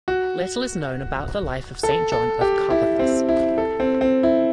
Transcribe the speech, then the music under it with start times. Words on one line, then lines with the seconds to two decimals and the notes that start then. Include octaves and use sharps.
Little is known about the life of Saint John of Karpathos.
0.08 F#4
1.83 A4
2.12 A4
2.41 G4
2.70 E4
2.99 C4
3.29 E4
3.58 A4
3.80 C4
4.01 C4
4.23 E4